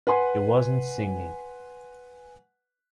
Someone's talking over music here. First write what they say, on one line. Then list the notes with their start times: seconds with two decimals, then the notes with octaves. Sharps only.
He wasn't singing.
0.07 B4 F#5 G#5 C6